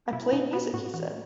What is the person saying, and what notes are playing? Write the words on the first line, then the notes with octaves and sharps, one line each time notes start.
I played music, he said.
B2 E4
B2 D#4
B2 B3
A2 F#4
E3 F#4